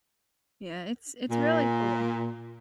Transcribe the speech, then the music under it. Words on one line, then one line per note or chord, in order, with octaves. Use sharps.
Yeah, it's it's really cool.
A#2